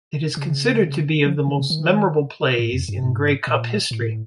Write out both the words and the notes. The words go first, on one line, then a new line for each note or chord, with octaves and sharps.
It is considered to be of the most memorable plays in Grey Cup history.
C#3
F3
D3
C#3
D#3
E3
D#3
A2
F2
G2
G#2
A#2
A2